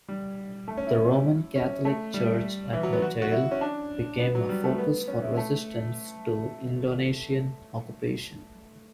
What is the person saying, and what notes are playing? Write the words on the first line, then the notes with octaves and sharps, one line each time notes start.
The Roman Catholic Church at Motael became a focus for resistance to Indonesian occupation.
G3
A3
C#4
E4
C#4
A3
G3
E3
F#3
B3
F#4
F#4
E4
C#4
D4
B3
F#3
G3
A3
B3
C#4
E4
A3